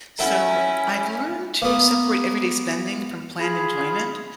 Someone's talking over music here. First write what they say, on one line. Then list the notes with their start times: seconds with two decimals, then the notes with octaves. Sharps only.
So, I've learned to separate everyday spending from planned enjoyment.
0.19 C#4 E4 A4 E5 F#5
1.62 A#3 B3
3.38 F4 G#4 B5